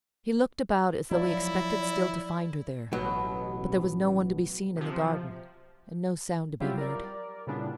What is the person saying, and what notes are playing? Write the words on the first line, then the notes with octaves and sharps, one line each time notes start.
He looked about as though he expected still to find her there; but there was no one to be seen in the garden, and no sound to be heard.
F3 F#3 E4 D5
A1 B2 F#3 B3
C3 F3
F#3 G3 C4 E4 F4 G4
A#4 D5
A#2 C#3 G3 B3 D4 E4